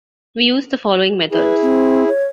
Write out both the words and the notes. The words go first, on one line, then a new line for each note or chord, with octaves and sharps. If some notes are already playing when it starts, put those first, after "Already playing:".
We use the following methods.
E4 G#4 B4
C4
C#5